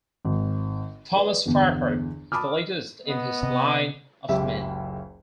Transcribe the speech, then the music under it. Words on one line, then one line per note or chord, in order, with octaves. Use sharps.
Thomas Fireheart is the latest in this line of men.
G#1
G#4 B4 D5
G1 E2
A5 B5 D6 D#6 F6
B3 D#5
C3 D#5
F#1 C#2 G4 E5